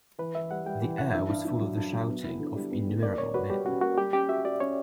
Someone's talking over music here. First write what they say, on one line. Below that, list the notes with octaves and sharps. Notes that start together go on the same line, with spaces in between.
The air was full of the shouting of innumerable men.
E3 B4
E3 E5
G3 F#5
G3 G5
E3
E3 F#5
G2 E5
G2
G2
F#3
G2
F#3
B3
E4
D3
G3
B3
D3
A#3 D5
A#3 C#5
F#4 B4
G3 G4
C#4 F#4
A#3 F#4
G3 G4
C#4 G4
F#4 E5
F#4 D5
C#4 C#5